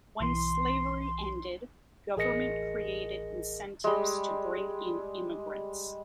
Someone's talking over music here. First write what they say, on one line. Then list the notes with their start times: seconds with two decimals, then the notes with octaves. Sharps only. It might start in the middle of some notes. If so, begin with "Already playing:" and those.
When slavery ended, government created incentives to bring in immigrants.
0.20 B1 E3 C6
2.17 A1 G#4 A#4 D#5 A#6 C#7
3.84 G3 G#3